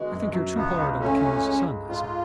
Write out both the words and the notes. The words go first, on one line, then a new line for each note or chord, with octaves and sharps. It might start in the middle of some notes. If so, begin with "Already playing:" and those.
"I think you're too hard on the king's son," I said.
Already playing: D3 G#3 B3 F#4
F#2
F#2
C#2 B3
C#2
A3 C#4
C#2
G#3
G#3
G#2 F4